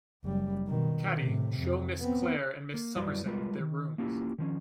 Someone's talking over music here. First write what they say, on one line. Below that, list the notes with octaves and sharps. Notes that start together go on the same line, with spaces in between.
Caddy, show Miss Clare and Miss Summerson their rooms.
F#1 G3
B2 D#3
A2 C3
F2
B3 C4
A#3
F#2 G3 E4 F#4 B4 D5
G3 G#3 F4 A#4 B4
D#3
A#3 C#4 E4 F4 G4
D#3 F3 C#4